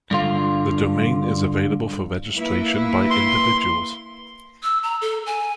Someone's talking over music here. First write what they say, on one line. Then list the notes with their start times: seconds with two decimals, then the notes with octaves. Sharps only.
The domain is available for registration by individuals.
0.11 G2 D3 F4
2.35 A#3 E4 B4
3.10 C6
4.63 E6
4.83 A#5
5.01 A4
5.26 G#5